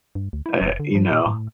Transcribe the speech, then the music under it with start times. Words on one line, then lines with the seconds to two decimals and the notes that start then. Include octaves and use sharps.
eh, you know.
0.15 G2
0.33 D2
0.46 E4
0.61 F1
0.80 D3
0.95 F3
1.12 A#2
1.26 A2